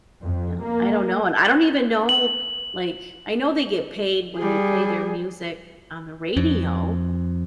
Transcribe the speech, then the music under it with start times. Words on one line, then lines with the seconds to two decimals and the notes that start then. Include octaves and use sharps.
you know, I don't know and I don't even know like I know they get paid when you play their music on the radio
0.23 F2
0.62 A#3
2.09 F#7
4.38 G3 G#4
6.37 F2